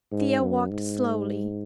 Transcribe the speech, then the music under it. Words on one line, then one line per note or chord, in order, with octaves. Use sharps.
Thea walked slowly.
G#2
F#2
G#2